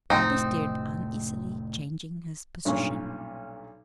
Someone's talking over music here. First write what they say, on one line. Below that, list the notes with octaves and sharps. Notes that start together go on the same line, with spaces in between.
Bobby stirred uneasily, changing his position.
F1 A2 C4 D#4
B1 G2 A#2 C#4 G#5